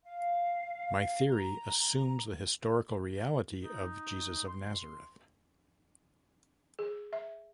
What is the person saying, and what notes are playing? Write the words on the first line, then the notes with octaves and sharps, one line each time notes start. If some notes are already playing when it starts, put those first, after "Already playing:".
My theory assumes the historical reality of Jesus of Nazareth.
F5
A#5
D#4
C6
G#4
E5